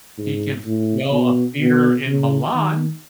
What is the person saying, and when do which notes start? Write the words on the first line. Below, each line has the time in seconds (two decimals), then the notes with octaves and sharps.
He can fill a theater in Milan.
0.18 G#2
0.65 A2
1.12 B2
1.60 B2
2.07 C#3
2.54 D#3